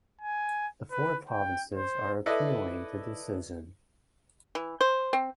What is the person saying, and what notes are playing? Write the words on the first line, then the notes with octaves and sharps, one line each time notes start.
The four provinces are appealing the decision.
G#5
B4
G5
C5
E4 A4 B4 D5 D#5
E3
C5
C4